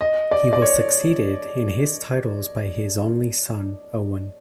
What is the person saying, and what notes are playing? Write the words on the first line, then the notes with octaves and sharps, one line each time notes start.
He was succeeded in his titles by his only son, Owen.
D#5
D5
D5
C#5